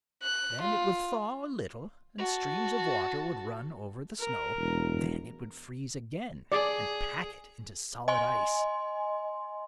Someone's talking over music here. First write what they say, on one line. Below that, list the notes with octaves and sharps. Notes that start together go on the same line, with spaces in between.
Then it would thaw a little, and streams of water would run over the snow; then it would freeze again, and pack it into solid ice.
F#6
F4
F#4 A5
A#4
E1
G#4 D5
D#5 G#5 C6